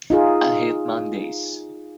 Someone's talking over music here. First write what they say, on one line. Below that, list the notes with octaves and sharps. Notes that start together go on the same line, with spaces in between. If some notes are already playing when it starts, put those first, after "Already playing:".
I hate Mondays!
D#4 F4 G#4